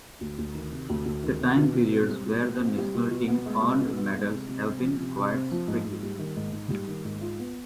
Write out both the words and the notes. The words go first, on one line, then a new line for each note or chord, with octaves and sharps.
The time periods where the national team earned medals have been quite streaky.
D2
D2
D#3
C3
D2
D2
D#3
C3
B2
B2
C4
G3
B2
B2
C4
G3
B2
B2
B3
G#3
B2
B2
B3
G#3
C3
C3
C4
F3
C3
C3
C4
F3
G#2
G#2
G3
D#3
G#2
G#2
G3
D#3
G#2
F4
B3